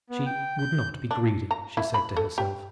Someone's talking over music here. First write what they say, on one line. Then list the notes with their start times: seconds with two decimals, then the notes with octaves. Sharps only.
She would not be greedy, she said to herself.
0.10 B3
0.26 G5
0.58 G6
1.11 D4
1.51 A#5
1.77 E4
1.94 B5
2.17 A4
2.38 G4